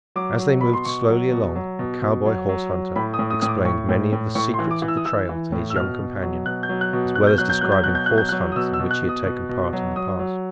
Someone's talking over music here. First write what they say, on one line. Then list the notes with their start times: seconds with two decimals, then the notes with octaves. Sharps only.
As they moved slowly along, the cowboy horse-hunter explained many of the secrets of the trail to his young companion, as well as describing horse-hunts in which he had taken part in the past.
0.16 F#3 D6
0.39 F#3
0.61 B2 B5
0.73 C6
0.85 B2 C#6
1.09 F#3
1.32 B2
1.56 F#3
1.79 B2
2.02 B2
2.26 F#3
2.49 F#3
2.72 F#3
2.96 A2 B5
3.14 D#6
3.19 A2
3.30 D#6
3.42 A2 D#6
3.48 D6
3.65 A2 C#6
3.89 A2
4.12 A2
4.35 A2 C#6
4.54 C6
4.59 E3
4.71 D6
4.82 E3
4.88 E6
4.97 D#6
5.05 E3 E6
5.29 E3
5.52 A2
5.70 E6
5.76 B2 F6
5.99 B2
6.23 F#3
6.46 B2 F#6
6.63 G6
6.69 F#3
6.81 F#6
6.93 B2
7.15 B2 F#6
7.27 G6
7.38 F#3 F#6
7.50 G6
7.61 F#3 F#6
7.72 G6
7.84 B2 F#6
7.95 G6
8.06 F#3 F#6
8.18 G6
8.29 F#3 F#6
8.52 D#6
8.56 B2 E6
8.73 E6
8.79 B2
8.91 F#6
9.03 B2
9.09 D#6
9.26 B2
9.49 B2
9.73 F#3
9.96 F#3 D#6
10.19 F#3